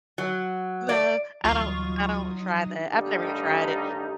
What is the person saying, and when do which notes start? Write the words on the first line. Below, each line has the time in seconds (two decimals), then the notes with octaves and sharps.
No, I don't I don't try that. I've never even tried it,
0.18 F#3
0.89 D5
1.45 D2 E3 F#3 G3 D#4 F4 C#6 D#6
2.89 A1 G2 D#3 G3 D#4 G4